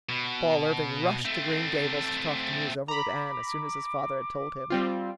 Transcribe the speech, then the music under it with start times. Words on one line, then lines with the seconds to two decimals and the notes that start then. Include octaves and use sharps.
Paul Irving rushed to Green Gables to talk the news over with Anne as soon as his father had told him.
0.09 B2
1.25 A3 C4
2.88 A#5 B5 D6
4.70 G3 C4 F4